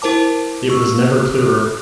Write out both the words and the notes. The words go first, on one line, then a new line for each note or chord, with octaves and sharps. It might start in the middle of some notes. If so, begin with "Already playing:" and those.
It was never clearer.
E4 A#4 C5 A5 D6
C#6 E6